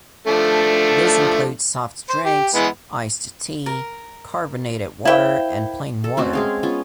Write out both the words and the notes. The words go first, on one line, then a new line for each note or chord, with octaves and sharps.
This includes soft drinks, iced tea, carbonated water, and plain water.
F3 A3 D4
C5
G4
E3 G#3 B3
A#4
E4 A#4 C5 F5 G5
A4
A3 C4 C#4 F#4
G#3 G#4 F5
B3 C#4 F4